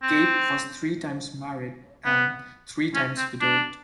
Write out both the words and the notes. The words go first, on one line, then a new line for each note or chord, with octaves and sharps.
Cape was three times married and three times widowed.
C4
B3
C#4
C4
D4